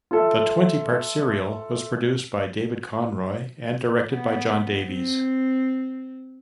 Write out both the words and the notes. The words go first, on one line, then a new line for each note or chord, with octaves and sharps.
The twenty-part serial was produced by David Conroy and directed by John Davies.
F4 A4 E5
B3
C4